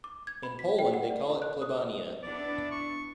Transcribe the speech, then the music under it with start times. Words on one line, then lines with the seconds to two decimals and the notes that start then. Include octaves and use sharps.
In Poland they call it "Plebania".
0.04 D6
0.27 G#6
0.43 B5
0.59 B6
0.79 G5
0.94 F#5
1.10 D5
1.30 A4
1.42 F#6
1.62 D#6
2.22 B3 D4 E4 D5
2.71 C#6